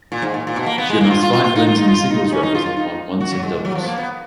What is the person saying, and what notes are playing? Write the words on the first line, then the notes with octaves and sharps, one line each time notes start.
She amassed five wins in singles rubbers and won once in doubles.
A#2
G#2
A#2
A#2
B2
A#3
B3
G#3
A#3
F4
F4
F4
F4
D#4
F4
D#4
F4
D#4
D#4
C#4
D#4
F4
F4
D#4
F#4
F#3
G#3
F#3
F3
B3
A#3
B3